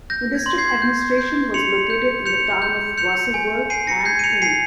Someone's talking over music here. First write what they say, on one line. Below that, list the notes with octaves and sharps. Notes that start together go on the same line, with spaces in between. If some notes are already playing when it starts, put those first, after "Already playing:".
The district administration was located in the town of Wasserburg am Inn.
G6 A#6
G#6
C6
G#6 C7
G6
G6
C6 C#7 F7
G6
G6 C#7 F7
G6
G6 C#7 F7
G#5
G#5 C7 D#7
A#6 C#7
G6 G#6 C7
D#7
C#7 F7
G#5 C7 D#7